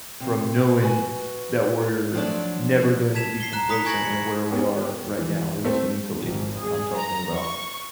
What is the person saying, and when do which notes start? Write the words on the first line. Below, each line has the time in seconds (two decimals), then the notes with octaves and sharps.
from knowing that we're never going to be complacent in where we are right now, at least mentally, I'm talking about.
0.20 C3
0.80 F#4 B4 G#5
2.14 F3 F#3 A3 D4 D5
3.15 A5 G#6 B6 E7 F7
3.40 C7 G7
3.52 A#5 F#6 E7 G7
3.69 B5 D#6 B6 C#7
3.85 G#5 C#6 G#6 A#6 C#7 F#7
4.05 C#7
4.50 B3 C#4 G4 G#4
5.19 E3
5.64 A3 C4
6.21 G#1
6.56 G#4
6.95 A#5
7.34 C#6